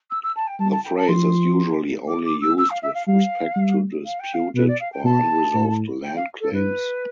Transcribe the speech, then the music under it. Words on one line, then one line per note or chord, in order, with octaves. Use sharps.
The phrase is usually only used with respect to disputed or unresolved land claims.
E6
E6
A5
G5
G3 A5
A5
G5
A5
F3 C6
D6
D6
E6
E6
F5
E5
F5
G3 F5
G3
F5
G5
F5
B2 B4
D5
F5
G5
B2 A5
A2
G5
F5
A4
G2 B4